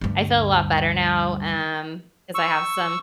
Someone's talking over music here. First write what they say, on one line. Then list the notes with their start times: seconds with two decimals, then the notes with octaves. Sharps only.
I feel a lot better now, um, 'cause I have some
0.01 D2 G2
2.35 C#6 E6